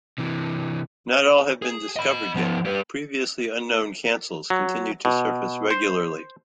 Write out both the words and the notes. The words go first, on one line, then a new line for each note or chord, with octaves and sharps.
Not all have been discovered yet; previously unknown cancels continue to surface regularly.
C3 E3
G#4
D#5 B5
F3 B3
G3 B4
F#3
B2
C5